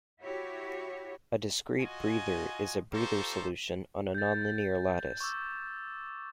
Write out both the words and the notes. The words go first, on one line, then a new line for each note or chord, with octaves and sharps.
A discrete breather is a breather solution on a nonlinear lattice.
E4 F#4 G4 C#5
F4 F#4 D#5 G#5
F4 G4 A4 C5 A#5 C#6
G6 A6
C#6 D6 E6